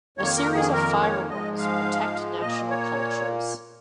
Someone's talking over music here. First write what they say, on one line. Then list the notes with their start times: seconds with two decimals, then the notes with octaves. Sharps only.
A series of fire-walls protect national cultures.
0.18 F2 D#3 A#3 C#5
0.37 A#4
0.55 G#4
0.73 A#4
1.02 C#5
1.29 G#2 F3 G#3 D#5
1.58 F5
2.42 A#2 A#3 D#5
2.70 C#5